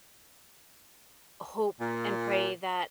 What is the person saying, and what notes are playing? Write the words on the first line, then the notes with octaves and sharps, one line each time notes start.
hope and pray that,
A#2